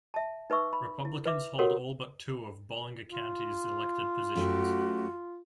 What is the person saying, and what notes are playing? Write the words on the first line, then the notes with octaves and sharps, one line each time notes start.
Republicans hold all but two of Bollinger County's elected positions.
E5 A5
D#4 B4 E5 C#6 E6
B5
E4
B4 E5 D6
F#4 G4 A4 A#4 C#5 F#5
F4
F#2 A3 F#4 G4